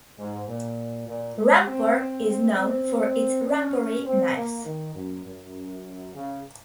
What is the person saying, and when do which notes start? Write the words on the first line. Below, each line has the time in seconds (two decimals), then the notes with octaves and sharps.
Rampur is known for its 'Rampuri knives'.
0.18 G#2
0.48 A#2
1.08 A#2
1.37 G#3
1.67 C4
2.26 C4
2.57 C4
3.46 C#4
4.06 C4
4.36 A#3
4.65 D#3
4.95 F#2
5.25 F#2
6.14 C#3